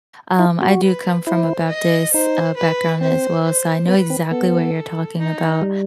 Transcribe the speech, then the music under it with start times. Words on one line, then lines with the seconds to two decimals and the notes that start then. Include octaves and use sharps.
um, I do come from a Baptist, uh, background as well, so I know exactly what you're talking about,
0.39 E4
0.62 F#4
0.83 B4
1.27 E4 C5
1.70 D#5
2.14 D#4 C5
2.57 B4
3.01 C4 C5
3.44 C5
3.88 B3 B4
4.10 C4
4.31 B3 A4
5.18 D#4
5.62 G3